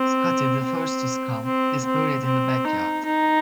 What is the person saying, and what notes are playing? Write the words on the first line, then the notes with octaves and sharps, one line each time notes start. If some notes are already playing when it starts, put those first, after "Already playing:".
Scottie, the first to succumb, is buried in the back yard.
Already playing: C4
C4
C4
C4
C4
D#4
D#4